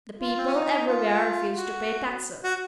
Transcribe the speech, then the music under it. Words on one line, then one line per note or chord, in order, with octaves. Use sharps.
The people everywhere refused to pay taxes.
F4
C4
C#4
D#4
F4
F#4
F#4